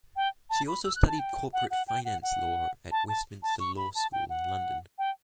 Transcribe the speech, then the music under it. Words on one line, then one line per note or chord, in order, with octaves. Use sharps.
She also studied Corporate Finance Law at Westminster Law School in London.
G5
A5
B5
E6
F#6
A5
G5
F#5
F#5
G5
F#5
F#5
A5
A5
A5
C#6
B5
A5
G5
F#5
G5